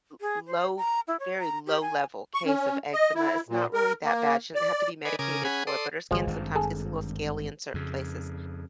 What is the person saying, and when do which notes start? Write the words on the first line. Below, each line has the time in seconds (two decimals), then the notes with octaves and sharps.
l low very low level case of eczema, it's not really that bad, she doesn't have to be medicated for it, but her skin sometimes gets a little scaly in certain places.
0.21 G#4
0.47 C5
0.77 A#5
1.08 E4
1.20 C#5
1.38 A#5
1.67 G4
1.81 G#5
2.34 C#6
2.45 C#4
2.93 D#5
3.15 E4
3.49 A#2
3.74 A#4
4.04 A#3
4.55 D5
5.05 B4 D5 D#5 G#5
5.19 C#3 A#4 G#5 D6 D#6
5.45 C#4 G#4 F#5 G#5 B5
5.67 A4 D5 C6 D#6
6.11 G1 E3 F3 G#3
6.27 G#1 G2
6.55 G#4 A4
7.74 F2 C#3